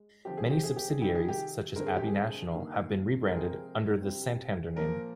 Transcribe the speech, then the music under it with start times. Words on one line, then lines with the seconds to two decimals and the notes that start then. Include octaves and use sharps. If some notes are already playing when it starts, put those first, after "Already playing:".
Many subsidiaries, such as Abbey National, have been rebranded under the Santander name.
Already playing: G#3
0.25 D3 F3 C4 G4
0.37 G#4
0.51 G4
0.64 G#4
0.76 G4
0.90 G#4
1.01 C3 D#3 G3 G4
1.15 G#4
1.29 G4
1.76 G2 D3 G#3 C4 A#4
1.87 G#4
1.97 G4
2.07 G#4
2.51 G2 D#3 A#3
3.26 C3 F3 G#3 C4 A#4
3.36 G#4
3.46 A#4
4.02 C3 G3 C4
4.77 A#2 F3 A#3 A#4